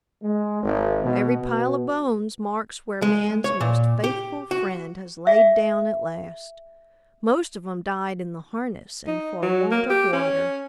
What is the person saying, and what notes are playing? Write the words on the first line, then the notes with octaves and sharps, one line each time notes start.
Every pile of bones marks where man's most faithful friend has laid down at last: most of 'em died in the harness and for want of water.
G#3
G#1
B2
B2
G#3
C#5
A#2
G4
F#4
G#4 E5
D#4
F#3
A#3
G4
C#4